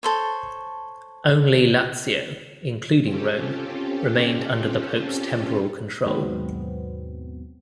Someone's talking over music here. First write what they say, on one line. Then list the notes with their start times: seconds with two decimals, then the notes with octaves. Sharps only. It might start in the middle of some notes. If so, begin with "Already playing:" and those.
Only Lazio, including Rome, remained under the Pope's temporal control.
0.03 A4 C5 C#5
3.02 C4 C#4 F4 G4 A4
6.06 D#2 G#2 B2 F#3 B3 C4